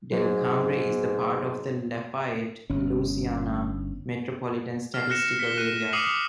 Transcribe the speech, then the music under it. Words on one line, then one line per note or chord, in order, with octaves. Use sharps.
Delcambre is the part of the Lafayette, Louisiana Metropolitan Statistical Area.
G#2 F#3
G1 C#4
F6 C7
F6 F#6 A#6 C#7 E7
B6 C#7 G7
F#6 D#7 E7
D6 D#6 C7 C#7 D#7 F#7